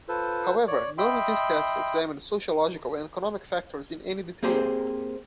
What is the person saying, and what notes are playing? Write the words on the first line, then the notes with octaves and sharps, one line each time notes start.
However, none of these tests examined sociological and economic factors in any detail.
F4 A4 B4 C5
C#5 D5
D#5 E5 G5 B5 C6
A#3 C4 G4 G#4 C5